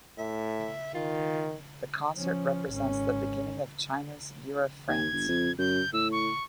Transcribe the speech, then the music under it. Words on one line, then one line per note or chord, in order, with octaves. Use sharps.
The concert represents the beginning of China's "Year of France".
A2 E5
D#3 F4
F3 C#4
G#1 C#4
D#2 G#6
G1
F2
F#2 G6
A2 E6
C#6